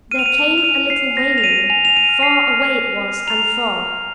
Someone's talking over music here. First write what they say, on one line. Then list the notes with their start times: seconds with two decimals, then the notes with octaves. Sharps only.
There came a little wailing; far away it was and far.
0.11 F6 D#7
0.19 F7
0.26 D#7
0.32 F6
0.38 F7
0.51 F6
0.58 F7
0.64 D#7
0.71 G#5
0.90 F6 C7
1.11 G#5
1.17 A#6
1.30 F6
1.38 F7
1.44 D#7
1.50 F6
1.70 G#5 F7
1.85 F7
1.90 G#5
1.96 D#7
2.09 F6
2.23 C7
2.29 F6
2.49 F6
2.68 F6
2.88 F6
3.08 F6
3.27 A#5 F7
3.47 F6
3.67 F6
3.87 F6